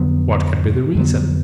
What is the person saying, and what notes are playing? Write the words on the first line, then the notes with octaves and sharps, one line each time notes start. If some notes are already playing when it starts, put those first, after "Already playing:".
What can be the reason?
Already playing: F2 D3 F#3 B3
F2 D3 F#3 B3